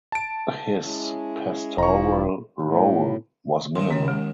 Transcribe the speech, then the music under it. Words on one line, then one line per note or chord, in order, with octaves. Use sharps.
His pastoral role was minimal.
A5 D7
G#3 C#4 E4
E1 F3 E4 F4 A#5 C#6
A2
D#2 D#3 C6
C#4 C#5
G#3